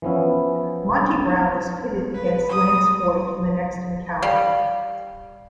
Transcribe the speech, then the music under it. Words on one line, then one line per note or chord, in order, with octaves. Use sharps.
Monty Brown was pitted against Lance Hoyt in the next encounter.
E3 F3 B3 C#4 E4
B4
D#6
G3 F5